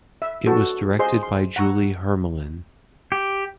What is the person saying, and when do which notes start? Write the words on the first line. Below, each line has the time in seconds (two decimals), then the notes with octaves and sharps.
It was directed by Julie Hermelin.
0.22 E5
0.46 F#4 A4 B4
0.99 G#4 C5 D#5 C6
1.23 C6
1.56 F#5 A#5 C#6 E6
3.12 G4